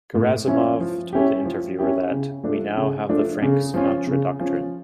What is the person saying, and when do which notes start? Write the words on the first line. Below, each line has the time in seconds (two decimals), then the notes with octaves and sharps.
Gerasimov told the interviewer that, We now have the Frank Sinatra doctrine.
0.15 A2
0.47 F3 C#4 E4
0.80 F3
1.13 C#4 E4 G4
1.46 F3
1.79 C#4 E4 G4
2.11 C#3
2.43 F3 A3 D4
2.77 C#3
3.09 F3 A3 D4
3.42 C#3
3.74 F3 C#4 F4
4.07 C#3
4.40 F3 C#4 F4